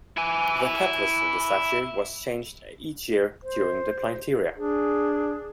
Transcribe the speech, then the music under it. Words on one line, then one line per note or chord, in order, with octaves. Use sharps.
The peplos of the statue was changed each year during the Plynteria.
E4 G#5
C5
D4 G#4